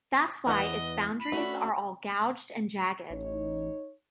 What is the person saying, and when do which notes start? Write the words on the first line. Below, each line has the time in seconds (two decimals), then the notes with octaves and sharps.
That's why its boundaries are all gouged and jagged.
0.47 E2 E3 B4 D#5 F#5
1.20 B5
1.32 A3 C#4 D4 F#4
3.10 A1 D#4 C#5